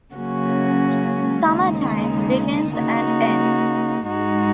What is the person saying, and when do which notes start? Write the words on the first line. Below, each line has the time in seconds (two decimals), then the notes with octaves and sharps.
Summer Time, begins and ends.
0.14 C#3 F#3 A#3 C#4 F#4
1.45 D#2 C#3 G#3 D#4
2.75 C#3 A#3 D#4 F#4
4.06 G#2 G#3 D#4 F#4